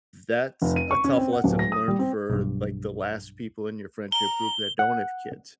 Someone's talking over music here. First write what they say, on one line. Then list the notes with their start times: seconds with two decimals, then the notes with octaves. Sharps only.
that's a tough lesson learned for, like, the last people in your friendship group that don't have kids,
0.61 F1
0.76 D#7
0.91 C#6
1.04 C#4
1.17 C4
1.32 F#5
1.44 D1
1.59 A#6
1.72 D#6
1.88 G3
1.99 C4
2.30 B1 G2
4.12 A#5 G7
4.79 F#5